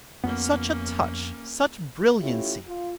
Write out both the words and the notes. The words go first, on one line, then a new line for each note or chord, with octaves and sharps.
Such a touch, such brilliancy!
F2 A#3 B3 C#4
A3 C#4 E4 F4 G4
F4